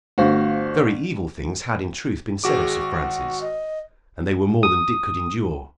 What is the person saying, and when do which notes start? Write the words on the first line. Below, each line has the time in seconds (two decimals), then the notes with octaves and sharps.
Very evil things had in truth been said of Sir Francis, and they were more than Dick could endure.
0.18 G1 A3 F#4 C5 F5
2.44 G#1 F#4 G#4 D6
3.02 F#5
3.41 D#5
4.63 D#6